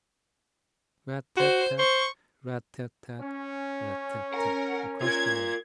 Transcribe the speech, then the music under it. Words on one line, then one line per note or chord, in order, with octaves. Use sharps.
'RAT--tat-tat, RAT--tat-tat, RAT--tat-tat,' across the yard.
F#4 C5
C5 C#6
C#4
A#4 F#5
F4 A#4 G#6